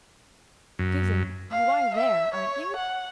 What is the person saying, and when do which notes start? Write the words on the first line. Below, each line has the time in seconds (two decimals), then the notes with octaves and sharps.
"Susan, you are there, aren't you?"
0.79 F#2
1.51 F5
1.95 E5
2.34 C#5
2.76 F#5